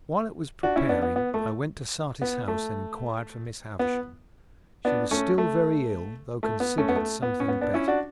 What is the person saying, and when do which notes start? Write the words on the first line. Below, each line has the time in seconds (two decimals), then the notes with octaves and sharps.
While it was preparing, I went to Satis House and inquired for Miss Havisham; she was still very ill, though considered something better.
0.63 D4 F#4
0.76 C#4 E4
0.89 B3 D4
1.02 B3
1.16 B3
1.34 A3
2.22 B3
2.48 A3
3.79 B3
4.85 B3 D4
5.11 A3 C#4
5.38 A3
6.43 A3
6.60 B3
6.78 A3 C#4
6.89 B3
6.96 A3
7.22 B3
7.40 C#4
7.48 B3
7.61 B3 D4
7.74 C#4 E4
7.88 D4 F#4